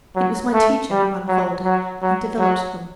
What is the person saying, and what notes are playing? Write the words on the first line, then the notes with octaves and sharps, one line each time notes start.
It was my teacher who unfolded and developed them.
F#3
A3
G3
F#3
F#3
F#3
F#3